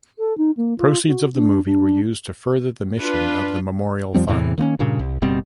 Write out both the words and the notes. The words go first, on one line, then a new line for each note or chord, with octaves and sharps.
Proceeds of the movie were used to further the mission of the Memorial Fund.
A4
D#4
A#3
F4
F#4
D4
D4
D4 F4 B4
F2 F3 G3 C4
E2 A2 C3 E3
D#3 A#3 B3 C#4
G2 A#2 C#3
C2
F#1 B2 G3 C4